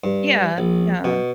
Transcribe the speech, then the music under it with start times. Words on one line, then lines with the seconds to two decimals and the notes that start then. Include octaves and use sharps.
Yeah, yeah.
0.04 G2
0.58 A#1
1.04 B2